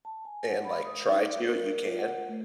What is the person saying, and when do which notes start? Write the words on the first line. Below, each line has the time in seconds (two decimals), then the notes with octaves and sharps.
and, like, try to, you can,
0.05 A5
0.25 G#5
0.49 F#5
0.65 B5
0.85 D#6
1.09 D#4
1.21 D6
1.41 A#4
1.60 A#4
1.87 F4
1.99 F#5
2.29 A3